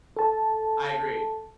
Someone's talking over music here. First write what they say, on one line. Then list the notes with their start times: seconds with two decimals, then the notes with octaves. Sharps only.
I agree,
0.17 A4 A5